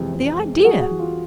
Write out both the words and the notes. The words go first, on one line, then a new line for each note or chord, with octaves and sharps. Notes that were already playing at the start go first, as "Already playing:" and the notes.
The idea!
Already playing: F2 C3 E3 G#3
F2
G#3
G3 F#4 G#4
F#4
E3
F4